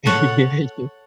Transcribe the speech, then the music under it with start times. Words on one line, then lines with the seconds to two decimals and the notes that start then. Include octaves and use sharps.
Yeah, yeah.
0.06 A4 C#5 F#5